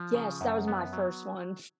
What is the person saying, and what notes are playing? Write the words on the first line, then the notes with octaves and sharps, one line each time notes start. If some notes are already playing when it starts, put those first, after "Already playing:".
Yes, that was my first one.
Already playing: F3
C#3
F#2
B3
F#3